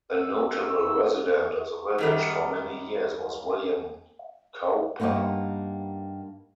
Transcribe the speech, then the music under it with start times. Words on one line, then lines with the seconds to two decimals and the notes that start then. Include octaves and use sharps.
A notable resident of the village for many years was William Cowper.
0.13 E6
0.77 E6
1.98 F#2 D#3 G3
5.00 G2 B2 A#3 B3 D#4